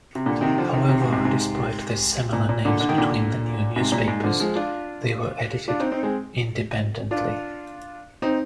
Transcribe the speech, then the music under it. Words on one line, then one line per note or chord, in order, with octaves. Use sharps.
However, despite the similar names between the new newspapers, they were edited independently.
C3
A#2 D3
C3 D#3
D3 F3
C3 D#3
C3 D#3
G#2 C3
G#2 C3
G#2 C3
A#2
A#2
A#2 D3
D3
D#3
A#2 D3
G#2 C3
A#2
G#2
D3 F3
F3 G#3
D4 F4
D4 F4
C4 D#4
C4 D#4
G#3 C4
D4 F4
C4 D#4